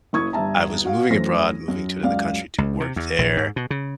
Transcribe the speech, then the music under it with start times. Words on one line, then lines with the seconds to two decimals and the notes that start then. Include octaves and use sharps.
I was moving abroad, moving to another country to work there,
0.13 F#1 A#3 E4 C#6 D#6 G#6
0.33 G1 G2 E5 A5 A#5
0.85 F#4 F5
1.10 F#2 E3 A3 C5 A#6
1.68 F#2
2.03 C#2 F#2 D5 F5
2.58 C#2
2.80 C3
2.96 E2
3.18 A#1
3.37 G#2
3.56 B2
3.70 C#3